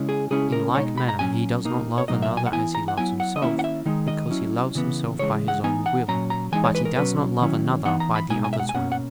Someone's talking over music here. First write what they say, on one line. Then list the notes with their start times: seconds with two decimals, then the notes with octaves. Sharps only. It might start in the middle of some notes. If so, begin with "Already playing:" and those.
In like manner he does not love another as he loves himself, because he loves himself by his own will; but he does not love another by the other's will.
Already playing: C#3 G#3 C#4 E4
0.09 G#4
0.31 C#3 G#3 C#4 E4 G#4
0.52 A#4
0.75 B2 G#3 D#4 C#5
0.98 B5
1.09 A#5
1.19 A#2 F#3 C#4 G#5
1.64 A#2 A#3 D#4
1.98 C#5
2.08 B2 F#3 A#3 D#4 D#5
2.22 E5
2.37 G#5
2.46 F#5
2.53 E3 B3 E4 G#5
2.75 A#5
2.88 F#5
2.97 F#3 B3 E4 G#5
3.20 F#5
3.36 D#5
3.41 D#3 A#3 C#4 E4 E5
3.59 F#5
3.64 E5
3.86 D#3 G#3 D#4
4.08 D#5
4.30 F#3 C#4 E4
4.75 C#3 E3 B3
5.19 C#3 E3 G#3 C#5
5.48 F#5
5.63 E3 B3 D#4 G#5
5.86 F#5
6.08 A#2 F#3 C#4 A#5
6.30 A#5
6.52 E3 G#3 D#4 G#5
6.64 C#5
6.75 B4
6.85 A#4
6.96 B2 F#3 C#4 B4
7.41 D#3 F#3 C#4 E4
7.85 E3 B3 D#4 F#5
8.00 A#5
8.16 B5
8.30 B2 G#3 D#4 G#5
8.44 G#5
8.53 E5
8.60 F#5
8.69 G#5
8.74 B2 A#3 C#4 F#5
8.92 F#5